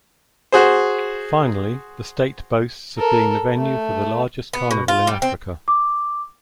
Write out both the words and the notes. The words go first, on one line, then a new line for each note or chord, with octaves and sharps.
Finally, the state boasts of being the venue for the largest carnival in Africa.
F#4 G#4 C5
A4 A#4
A3
B3
B2
F4
G3
C4
D6